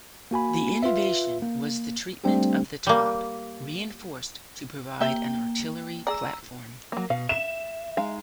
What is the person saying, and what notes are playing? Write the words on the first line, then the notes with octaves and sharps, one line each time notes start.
The innovation was the treatment of the top, reinforced to provide an artillery platform.
A#3 F#4 G#5 B5
F4 B4 E5
A#3
G3 A3 C4 D4 G4
G3 A#3
A#3 G4 E5 G5
G#4 D5 A#5 E6
F#3 A#3
B2 F5
E5 E7
G#3 D#4 F5